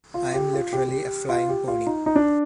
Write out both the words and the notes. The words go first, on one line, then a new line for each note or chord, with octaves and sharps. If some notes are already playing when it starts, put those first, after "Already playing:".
I am literally a flying pony.
F4
G4
F4
G4
G4
F4
G4
F4
D#4
D#4
D4